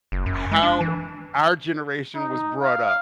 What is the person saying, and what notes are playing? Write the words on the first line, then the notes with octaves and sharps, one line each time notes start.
how our generation was brought up.
F#1
F#2
G#3
D4
E3
D#4
F5